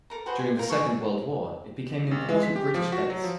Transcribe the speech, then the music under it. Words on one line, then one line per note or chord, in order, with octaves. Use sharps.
During the Second World War it became an important British base.
A4 A#4 A#5
F#4 G#4 B4 C5
G#5
F4 A#4
G#4 A4 C#6
G1
G#3
B6
G4
F3
F#4
F#3
F3